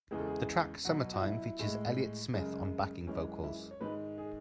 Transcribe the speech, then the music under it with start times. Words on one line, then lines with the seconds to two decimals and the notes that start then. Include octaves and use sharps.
The track "Summertime" features Elliott Smith on backing vocals.
0.11 E2 C#3 E3 G#3 G#4
0.18 A4
0.27 G#4
0.85 B2 F#3 F#4
1.14 F#4
1.22 E4
1.59 A2 G#3
2.33 F#2 C#3 G#3
3.07 F#2 E3 G#3 C#4
3.44 E4
3.71 C#5
3.81 G#2 D#3 G#3 B4
4.18 G#4